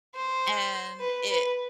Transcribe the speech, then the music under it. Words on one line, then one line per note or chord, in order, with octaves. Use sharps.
and it
C5
B4
B4